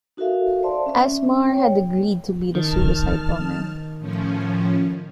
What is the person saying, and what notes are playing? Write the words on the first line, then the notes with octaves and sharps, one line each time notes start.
Asmar had agreed to be the suicide bomber.
D#4 F#4 A4 A#4 E5 F5
C5 D5 E5 A5 C6
C#4 E5
C#5 G5
D#3 A5 F6
A2 F3 C#4